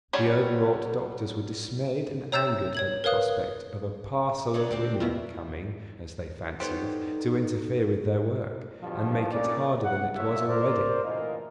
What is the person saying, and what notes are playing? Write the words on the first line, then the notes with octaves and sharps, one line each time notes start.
The overwrought doctors were dismayed and angered at the prospect of a "parcel of women" coming--as they fancied--to interfere with their work, and make it harder than it was already.
F#3 G3 C#4
C#5 A#5 E6 G6 A6 E7
C#5 G#6 F#7
A#4 B4 C#5 F5 D#6 F#6
F#3 D4 D#4
D2 C4 D4 G4
B2 E4 F4 A#4
G3 B3 D#4 G4 A4 C5 C#5
E2 G2 B2 D3 F3
A#1 A#2 C#4 D#4 D5
F#5
D2 A#2 F3 C#5 E5
A#4 C5 D5
D2 A#2 E3 A#3 D#5